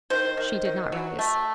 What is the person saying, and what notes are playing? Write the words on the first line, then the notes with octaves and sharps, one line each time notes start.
She did not rise.
D#3 C5
D#3
D#3
F#3
A3